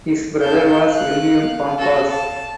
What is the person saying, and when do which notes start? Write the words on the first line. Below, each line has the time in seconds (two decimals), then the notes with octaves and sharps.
His brother was William Bompas.
0.41 F5 A5 G6
0.91 F#6
1.78 F#4 A4
2.09 A5